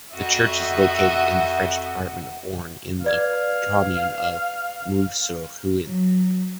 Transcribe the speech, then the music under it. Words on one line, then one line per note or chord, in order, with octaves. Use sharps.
The church is located in the French department of Orne, in the commune of Mauves-sur-Huisne.
F2 F#4 D#5 E5 F#5
B4 D5 F5 G#6
F#3